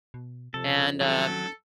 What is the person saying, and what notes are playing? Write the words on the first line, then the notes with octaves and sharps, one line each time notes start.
and, uh, m
B2
F2 C3 A4
D#3 F#3 C#4 A4